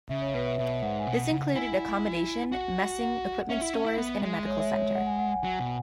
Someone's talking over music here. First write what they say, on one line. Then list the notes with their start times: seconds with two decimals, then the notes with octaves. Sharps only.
This included accommodation, messing, equipment stores and a medical centre.
0.09 C#3 E5
0.21 C#5
0.34 B2 B4
0.46 E5
0.58 B2 E5
0.82 G#2 F#5
0.99 G#5
1.06 B2 F#5
1.31 C#3
1.55 E4 G#5
2.52 F#4 F#5
3.01 F#5
3.49 C#4 E5
3.61 E4
3.74 C#4
3.86 E4
3.98 B3
4.22 G#3
4.47 C#5
4.59 E5
4.73 C#5
4.95 F#5
5.07 G#5
5.19 F#5
5.32 G#5
5.44 F#3 F#5
5.59 B2